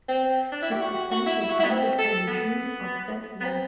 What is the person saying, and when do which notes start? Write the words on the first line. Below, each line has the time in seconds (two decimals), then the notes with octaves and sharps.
His suspension ended in June of that year.
0.09 C4
0.52 D4
0.62 E4
0.72 G4
0.82 F#4
1.11 F#4
1.26 E4
1.40 E4
1.50 F#4
1.60 E4
1.64 B3
1.70 C4
1.99 A4
2.28 B3
3.41 B3
3.45 C4